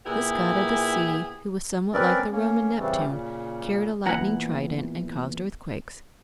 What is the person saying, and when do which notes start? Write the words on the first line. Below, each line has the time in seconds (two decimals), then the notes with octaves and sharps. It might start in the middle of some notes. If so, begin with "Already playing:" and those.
This god of the sea, who is somewhat like the Roman Neptune, carried a lightning trident and caused earthquakes.
0.06 A#2 B3 E4 G4 G#4
1.94 C4 C#4 A#4 B4 D5
2.32 A#3 C#4
2.79 A2 C#3 E3 G3 A3 C4
3.07 A#2 C#3
4.06 E2 A#2 E3 E4 F#5 A#5